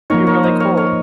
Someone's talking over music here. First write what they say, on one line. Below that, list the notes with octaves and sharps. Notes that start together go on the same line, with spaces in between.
You're really cool.
F3 A#3 D#4 A#4 C#5
A#4 C#5
C5 D#5
C#5 F5
C#5 F5